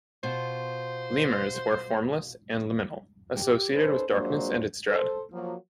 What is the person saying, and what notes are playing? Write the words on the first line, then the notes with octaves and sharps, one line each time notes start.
"Lemures" were formless and liminal, associated with darkness and its dread.
B2 F4 C5
G4
C#4 D#4 A4 B4 C5
F3 F#3 G#3 A#3 D4 C5
A4 C5
F3 F#3 A#3